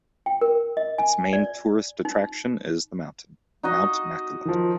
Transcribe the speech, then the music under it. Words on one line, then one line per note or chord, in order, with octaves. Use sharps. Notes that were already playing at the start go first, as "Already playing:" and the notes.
Its main tourist attraction is the mountain, Mount Maculot.
G5
A#4
D#5
G#5
D5
D#4
D#4 F#4 D#5
D#3 F3